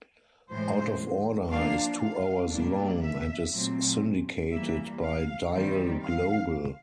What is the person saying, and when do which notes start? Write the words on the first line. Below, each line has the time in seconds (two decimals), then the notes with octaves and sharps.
"Out of Order" is two hours long and is syndicated by Dial Global.
0.50 A2 E3 G#3 C5
1.51 F3 A#3 D4 F5
2.01 F5
2.52 B2 G3 A#3 D4
3.02 E5
3.52 A#2 F#3 A3 C4
4.52 E3 G3 A#3 E5
5.02 F5
5.53 D#3 G3 C4
6.03 F5